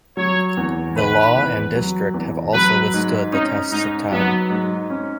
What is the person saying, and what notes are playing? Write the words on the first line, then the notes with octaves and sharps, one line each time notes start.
The law and District have also withstood the tests of time.
F#3 C#5
E2
D#3 B4
E2
F#3
E2
F#3 B4
G#2
C#4 D#4
G#2 D#4
F#3 B3
G#2
C#4